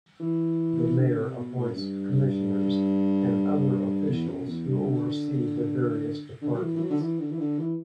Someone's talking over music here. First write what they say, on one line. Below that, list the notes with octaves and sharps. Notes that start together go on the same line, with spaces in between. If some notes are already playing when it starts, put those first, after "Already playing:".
The mayor appoints commissioners and other officials who oversee the various departments.
E3
D3
C3
B2
A2
F#2
G2
E2
F#2
E2
G2
D3
D3
F#3
E3
E3
F#3
D3
E3
D3
E3
D3
E3